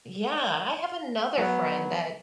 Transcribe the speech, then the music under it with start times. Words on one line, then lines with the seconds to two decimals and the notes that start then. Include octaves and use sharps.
Yeah, I have another friend that
1.38 F#3 B3